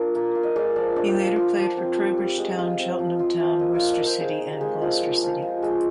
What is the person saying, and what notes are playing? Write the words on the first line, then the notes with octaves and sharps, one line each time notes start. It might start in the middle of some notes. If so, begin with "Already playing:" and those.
He later played for Trowbridge Town, Cheltenham Town, Worcester City and Gloucester City.
Already playing: D4 F4 A#4
A#3
F4
D#5
G#3 D5
F3 D5
D4 D5
G5
F4 F5
F4
F3
C4
G3
G3
G#3 D#5
F4
C4
F3
F4
F3
A#3 D#5
F4 F5
D5
A#3
C5
D#4 G#4
D#4
G4
G#3
F3 F4
F3
F3
F4
G#3